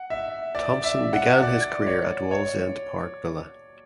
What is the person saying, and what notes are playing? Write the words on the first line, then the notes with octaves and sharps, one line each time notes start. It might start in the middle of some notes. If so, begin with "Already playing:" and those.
Thompson began his career at Wallsend Park Villa.
Already playing: F#5
E5
D5
E5
F#5
D5
C#5
C#5